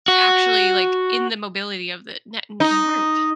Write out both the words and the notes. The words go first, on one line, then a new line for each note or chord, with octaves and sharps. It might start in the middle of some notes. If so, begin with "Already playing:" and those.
To actually, like, in the mobility of the n that you weren't.
F#4
D#4